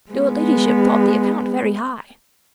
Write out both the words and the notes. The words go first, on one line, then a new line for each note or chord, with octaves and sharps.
"Your ladyship thought the account very high."
G#3 B3